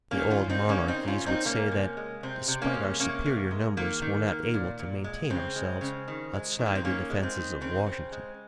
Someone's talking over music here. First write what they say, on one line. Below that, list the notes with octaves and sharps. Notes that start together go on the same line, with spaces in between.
The old monarchies would say that despite our superior numbers we're not able to maintain ourselves outside the defenses of Washington.
A#3 C#4
D#3
C#4 F4
A#3
C4 D#4
C#3 A#3 C#4
C4 D#4
C#3
C#4 F4
A#3
C4 D#4
C3 A#3 C#4
C3
G#3
C3 C4
C3
A#3 C#4
G#3
C3 A#3 C#4
C3
G#3
D#3 A#3
D#3
A#3
A#2
A#2
G#3
C#3 C4
G#3
C#3
D#3
G#3
D#3
A#3
C4
D#3 A#3 C#4
G#3
C4
D#3
C#3 C4
C#3
G#3